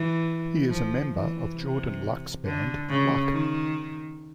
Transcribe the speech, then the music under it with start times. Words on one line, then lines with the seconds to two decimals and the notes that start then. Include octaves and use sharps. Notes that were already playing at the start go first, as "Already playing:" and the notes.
He is a member of Jordan Luck's band Luck.
Already playing: E3
0.69 F3
1.14 E3
1.57 C3
2.45 D3
2.89 C#3
3.33 D#3